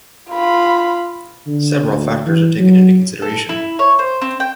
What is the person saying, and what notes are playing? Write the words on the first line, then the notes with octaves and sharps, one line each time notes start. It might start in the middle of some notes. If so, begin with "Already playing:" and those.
Several factors are taken into consideration.
F4 B5
D3
D2
E3
F#3
A4
E4
C#5
C5
C4
G5